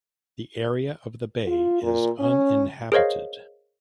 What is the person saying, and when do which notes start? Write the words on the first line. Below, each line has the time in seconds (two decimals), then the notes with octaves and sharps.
The area of the bay is uninhabited.
1.47 F4
1.82 A#2
2.19 C#4
2.92 G#4 A#4 C5 C#5 D#5 F5